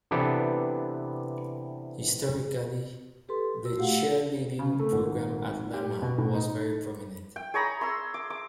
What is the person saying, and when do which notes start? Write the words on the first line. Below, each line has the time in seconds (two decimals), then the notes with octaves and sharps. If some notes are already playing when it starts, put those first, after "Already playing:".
Historically the cheerleading program at Lamar was very prominent.
0.11 C3 E3 B3 D4 G4 A4
3.29 G4 A4 B4 C6
3.63 F4 F#4 E6
3.76 A3 G4 F5 F#5
4.59 C#3
4.79 A3
4.93 G#1
5.74 G4
6.02 B2
6.18 A2
6.34 D#4
7.36 G5
7.54 G#4 C#5 A#5 B5
7.81 C6 E6
8.14 D6
8.30 D6